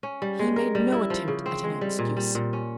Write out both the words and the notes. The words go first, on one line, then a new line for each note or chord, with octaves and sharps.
He made no attempt at an excuse.
C#4
G3
G#3
A#4
G3
E4
F3
C#3
C4
G#3
G3
A#2
G3
A#2
C#4